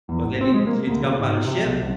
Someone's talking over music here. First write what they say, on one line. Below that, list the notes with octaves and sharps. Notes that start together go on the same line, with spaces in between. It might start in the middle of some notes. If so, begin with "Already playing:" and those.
Well, then you you jump on a ship.
E2
G#1
C4
G#3
A#3
D2
C#3
G#2
C3
B1
C2